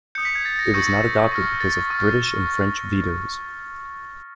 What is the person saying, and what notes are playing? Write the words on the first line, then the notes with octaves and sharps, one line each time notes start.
It was not adopted because of British and French vetoes.
D#6 G6 C#7
B6
G#6
A6
A#6
C#6 E6 G6 A#6
C#6 F6 A#6
A6
C#6 F6